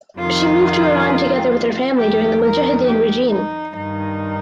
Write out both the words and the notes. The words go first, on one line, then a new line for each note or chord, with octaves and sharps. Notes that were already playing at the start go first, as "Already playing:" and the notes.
She moved to Iran together with her family during the Mujahideen regime.
F2 C3 D#3 F4
F2 D#3 G4
A#4
G4
D#4
G2 D#3 D#4